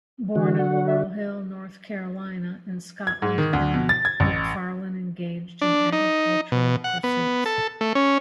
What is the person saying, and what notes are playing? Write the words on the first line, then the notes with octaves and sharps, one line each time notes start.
Born in Laurel Hill, North Carolina in Scotland County, McFarlan engaged in agricultural pursuits.
D3 E3 F#4
F#5
E5
G#6
G#2
D#3
D2
B2
A6
G#6
A1
D4
D#4
B2
F#5
B3
A4
A3
C#4